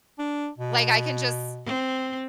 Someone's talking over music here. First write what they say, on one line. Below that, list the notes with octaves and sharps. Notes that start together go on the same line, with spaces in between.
like, I can just,
D4
B2
C4